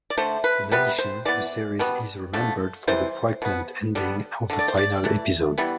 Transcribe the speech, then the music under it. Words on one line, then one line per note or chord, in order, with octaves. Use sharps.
In addition, the series is remembered for the poignant ending of the final episode.
D5
D3 A3 C5
B4
C3 G3 B3 B4
C5
E3 B3 D5
B2 G3 B3
D3 F3 A3
C3 E3 G3 C5
B2 B3
D3 G3 B3
D3 A3
D5
C5
D5
E3 A3
E3 G3 B3